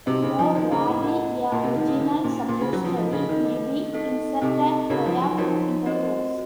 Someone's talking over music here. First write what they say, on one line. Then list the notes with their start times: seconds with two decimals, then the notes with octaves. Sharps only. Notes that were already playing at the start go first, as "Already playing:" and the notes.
More rarely, a vaginal suppository may be inserted prior to intercourse.
0.06 C3 D#4 F#4 C5 D#5
0.22 C#3
0.39 F3
0.55 D#3 D#4 F#4 C5 D#5
0.71 C#3
0.87 A2
1.03 F#4 A#4 D#5 F#5 A5
1.51 A#2 F#4 A#4 D#5 F#5 A5
1.64 C3
1.76 D#3
1.88 C#3
2.00 D#3 C#4 F#4 C5
2.24 A#2
2.48 A#2 C#4 F#4 C5
2.61 C#3
2.73 F#3
2.84 F3
2.96 F3 A3 D#4 A4 D#5
3.13 C#3
3.29 D#3
3.44 A3 D#4 A4 D#5
3.93 C4 D#4 A4 D#5
4.42 C3 C4 D#4 A4 D#5
4.90 C#3 D#4 F#4 A#4 C#5
5.06 F3
5.22 F#3
5.38 F3 D#4 F#4 A#4 C#5
5.86 C4 F#4 C5 D#5